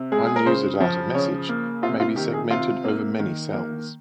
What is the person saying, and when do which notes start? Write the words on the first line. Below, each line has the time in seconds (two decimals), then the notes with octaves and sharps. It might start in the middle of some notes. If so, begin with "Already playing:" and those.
One user data message may be segmented over many cells.
Already playing: C3
0.12 G#3 G#4
0.26 G#4
0.36 A#4
0.46 C#3 C5
0.80 F3
1.14 C#3 C#5
1.49 A#3
1.82 C3 F4
2.00 F4
2.16 D#3 G4
2.34 G#4
2.51 C3 F4
2.84 A#3
3.20 D#3
3.53 A#3